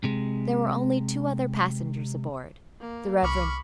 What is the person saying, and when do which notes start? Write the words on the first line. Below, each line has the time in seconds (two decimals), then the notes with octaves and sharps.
There were only two other passengers aboard, the Rev.
0.04 C3 G#3
2.81 A#3
3.23 C2 B5 C#6 D6 F6